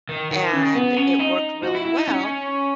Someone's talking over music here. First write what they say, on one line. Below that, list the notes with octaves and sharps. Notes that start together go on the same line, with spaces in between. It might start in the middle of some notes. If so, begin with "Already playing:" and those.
and it worked really well.
D#3
D#3
C#3
B3
C#4
D#4
F#4
E4
E4
D#4
C#4